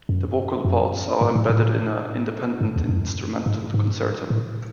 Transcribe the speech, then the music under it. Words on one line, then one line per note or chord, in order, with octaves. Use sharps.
The vocal parts are embedded in an independent instrumental concerto.
F#2
F#2
G#2
A2
A2
G#2
E2
F#2
G#2
G#2
A2